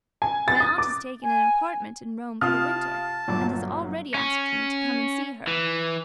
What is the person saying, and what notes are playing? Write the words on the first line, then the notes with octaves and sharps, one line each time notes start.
"My aunt has taken an apartment in Rome for the winter and has already asked me to come and see her."
G#5
A6
D#6
D6
G#5
C3 F4 F5 A5 D#6 F6
G1 A#2 F#3 D6
C#4
E3